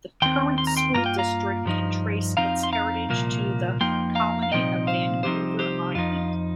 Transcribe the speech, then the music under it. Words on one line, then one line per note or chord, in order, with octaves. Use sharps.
The current school district can trace its heritage to the Colony of Vancouver Island.
D#2 D#3 C4 G5 C6
C6
A#5
G5 C6
G2 F3 A#3 F4 A#5
G5
F5 A#5
G2 F3 D#4
F2 F3 C4 D#4 F5 A#5
C6
F5 A#5
C2 A#2 F3 A#3
F2 F3 A#3 D#4 G5 C6
F5 A#5
F5
C2 A#2 F3 C4 D#4 D#5 G5
C5 F5
C2 C3 F3 C4 D#4 G4 C5
G4 C5
F2 F3 D#4 F4